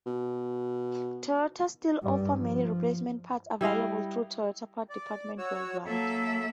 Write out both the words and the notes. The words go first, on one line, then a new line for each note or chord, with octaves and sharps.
Toyota still offers many replacement parts, available through Toyota parts departments worldwide.
B2
G2 G3
F3
G3 E4 D#5 F5
D5
F#4 C#5 E6
F#3 A#3 A4 E5